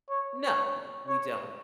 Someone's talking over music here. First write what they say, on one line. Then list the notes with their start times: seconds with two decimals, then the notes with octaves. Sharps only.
No. W we don't.
0.10 C#5
0.43 C#5
1.07 C#5